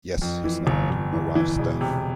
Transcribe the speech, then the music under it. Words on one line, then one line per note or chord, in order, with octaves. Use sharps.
"Yes," he snarled, "my wife's deaf."
F2
E3
G1
G1
E3
E3
E1
C3